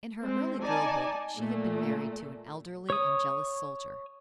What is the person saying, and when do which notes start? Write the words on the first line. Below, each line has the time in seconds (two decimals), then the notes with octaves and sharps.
In her early girlhood she had been married to an elderly and jealous soldier.
0.23 G#3 C4
0.63 D#4 D5 G#5 A5
1.36 A#2 A3
2.90 C#5 D#6